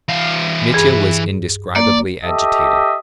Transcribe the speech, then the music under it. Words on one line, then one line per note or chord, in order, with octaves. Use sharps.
Mitya was indescribably agitated.
E3 F5
G2 G#4
A#3 D5
G4 A4 D#5 E5